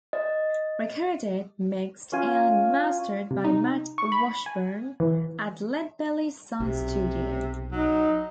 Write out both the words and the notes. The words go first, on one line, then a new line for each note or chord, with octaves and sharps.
Recorded, mixed, and mastered by Matt Washburn at LedBelly Sound Studio.
D#5
C#4 F4 G#5
C3
D#4
C#6
B5
G#5
E3
B1 C3
F#3 D#4